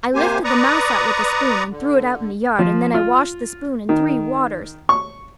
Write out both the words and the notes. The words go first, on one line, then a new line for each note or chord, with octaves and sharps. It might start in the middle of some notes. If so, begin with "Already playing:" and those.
I lifted the mouse out with a spoon and threw it out in the yard and then I washed the spoon in three waters.
C3 A#3 G4 C5 G#5
B4 D5 A#5 C#6 D#6
D3
F3
F4
D#3
C#6